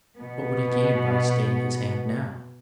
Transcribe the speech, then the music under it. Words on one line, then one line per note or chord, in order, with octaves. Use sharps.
What would he gain by staying his hand now?
B2 B3